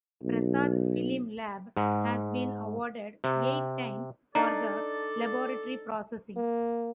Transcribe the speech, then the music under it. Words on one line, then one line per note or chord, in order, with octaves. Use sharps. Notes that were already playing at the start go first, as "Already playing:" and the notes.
Prasad Film Lab has been awarded eight times for the laboratory processing.
B1
G#2
C3
D4 D#4 A4 D5 A#5
A#3